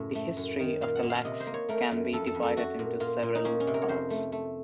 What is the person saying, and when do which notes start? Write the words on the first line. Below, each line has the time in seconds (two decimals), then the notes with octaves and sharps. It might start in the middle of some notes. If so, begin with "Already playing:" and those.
The history of the Laks can be divided into several parts.
Already playing: F#2 A2 C#3
0.15 A3
0.37 F#2
0.60 D#3
0.81 A#2 F5
0.95 F#5
1.03 A#2
1.10 F5
1.25 C3 D#5
1.40 C5
1.47 A#3
1.54 C#5
1.69 A3 A#4
1.91 F#2
2.13 F2 A4
2.27 A4
2.35 F2
2.43 A4
2.57 A3 F#4
2.79 A#2
3.00 A#2 F4
3.23 A#2
3.35 D#4
3.45 A#3 C#4
3.60 C#4
3.67 C3
3.74 A#4
3.82 C#5
3.88 F2 C5
4.10 A3
4.32 A3